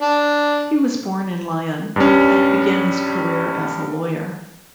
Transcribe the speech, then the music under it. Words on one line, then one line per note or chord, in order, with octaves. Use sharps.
He was born in Lyon, and began his career as a lawyer.
D4
G2 G3 C#4